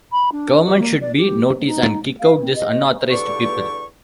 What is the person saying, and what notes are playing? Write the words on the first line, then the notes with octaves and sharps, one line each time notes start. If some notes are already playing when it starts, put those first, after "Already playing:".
Government should be notice and kick out this unauthorized people.
B5
D4
G4
A#3
D5
G4
D#4
F5
C4
D#5
E2 G2 D3 G4 D5 C#6